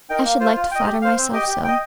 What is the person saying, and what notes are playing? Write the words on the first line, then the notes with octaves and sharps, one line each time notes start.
I should like to flatter myself so.
D#4 A#4 G5
A#3
F4 C5
F4
D#5 G5
G4
C5 F5
C4
G4 D#5 G5
G4
D#5 G5